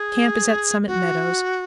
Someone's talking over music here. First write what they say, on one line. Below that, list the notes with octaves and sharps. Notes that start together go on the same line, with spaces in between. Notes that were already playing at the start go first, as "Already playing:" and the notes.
Camp is at Summit Meadows.
Already playing: G#4
F#4